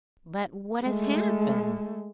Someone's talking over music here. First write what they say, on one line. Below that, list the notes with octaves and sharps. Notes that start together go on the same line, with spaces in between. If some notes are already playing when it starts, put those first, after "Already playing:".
"But what has happened?"
G#3 A3